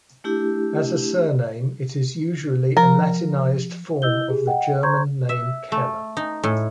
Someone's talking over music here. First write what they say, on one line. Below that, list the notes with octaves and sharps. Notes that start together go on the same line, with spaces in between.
As a surname it is usually a Latinized form of the German name "Keller".
A3 D4 E4 G4
F3 A#4
E4 D#5 E6 G6 G7
G4 G#4
D#5 F#5 G5
C5 A#5 C6 C#6 G6 G#6
E5
A3
D#4
A2